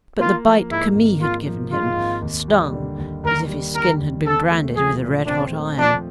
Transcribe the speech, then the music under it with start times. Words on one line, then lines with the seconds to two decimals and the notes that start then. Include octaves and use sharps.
But the bite Camille had given him stung as if his skin had been branded with a red-hot iron.
0.19 A#3 F4
0.45 F3
0.70 G#2 E4
0.95 G#1
1.21 A#3 F4
1.46 F3
1.72 G#2 F4
1.96 G#1
2.22 D#2
2.48 G3
2.73 D3
2.98 D#2
3.23 D#2 A#4
3.49 G3
3.75 D3 A#4
4.01 D#2
4.25 C4 A4
4.51 A3
4.76 F3 G#4
5.01 A#2
5.27 C4 D4
5.53 A3
5.78 F3 D4